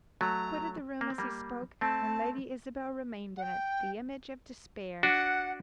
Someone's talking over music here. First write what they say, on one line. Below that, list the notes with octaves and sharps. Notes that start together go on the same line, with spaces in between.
He quitted the room as he spoke, and Lady Isabel remained in it, the image of despair.
F#3 A3 A#5
A#3
C4
G3 A#3
A3 C4 A5
F#5
G5
D4 F#4 F#5